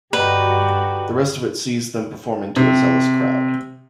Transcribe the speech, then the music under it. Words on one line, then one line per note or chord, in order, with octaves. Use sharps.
The rest of it sees them performing to a zealous crowd.
G2 D3 D#4 F#4 G4 B4
C3